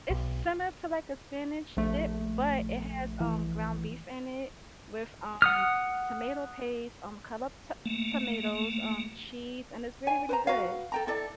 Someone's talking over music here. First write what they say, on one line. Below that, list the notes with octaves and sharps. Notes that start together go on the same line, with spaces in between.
It's similar to, like, a spinach dip, but it has, um, ground beef in it with, um, tomato paste, um, cut up t tomatoes, um, cheese, and it's really, really good.
B1
A#1 A3
E3
F#5 D#6 F6
A3 A#3
C#5 G#5
B4 C5 A#5
F#4 B4 F5
A4 G5 A#5
E4 A4 D5